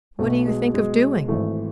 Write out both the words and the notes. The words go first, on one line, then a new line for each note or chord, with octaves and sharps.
'What do you think of doing?'
B1 B2 A3
G#3
B1 B2 G#3
G#1 G#2 E3 A3